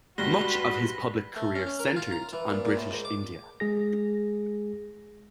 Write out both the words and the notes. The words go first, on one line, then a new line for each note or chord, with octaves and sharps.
Much of his public career centred on British India.
G2 G3 G#3 F#4 B4 A#6 G7
A3
C#4
C#4
A#4
F4
A#5
E3
A#2
A#2
A2
G#2
D6
G#3 G#4 A#6